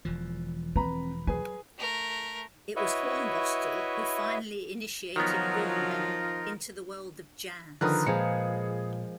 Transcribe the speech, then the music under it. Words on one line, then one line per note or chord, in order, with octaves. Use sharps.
It was Hornbostel who finally initiated Borneman into the world of jazz.
E1 E3 F3
C4 B4 A#5 B5
F#3 G#4 B4 G#5
A3 A#4
E4 F#4 B4 C#5 D#5 E5
D#3 F3 F#3 B3 D#4 F4 A#4
D3 D#3 F3 A#4 B4 D#6 F#6
A#2 F3 G#3 G#4 C#7